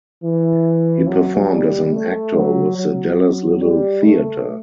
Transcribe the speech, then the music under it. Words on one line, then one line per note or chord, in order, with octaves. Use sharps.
He performed as an actor with the Dallas Little Theater.
E3
F#3
G3
A3
F#3
F#3
G3
A3